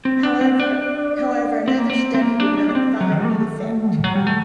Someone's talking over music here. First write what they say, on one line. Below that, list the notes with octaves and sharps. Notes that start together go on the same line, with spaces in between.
However, another study did not find the effect.
C4
D4
C4
D4
C4
A#3
C4
C4
A#3
D4
D4
D4
C4
F#3
D#3
A#3
A3
D#3
F#3
G3
A3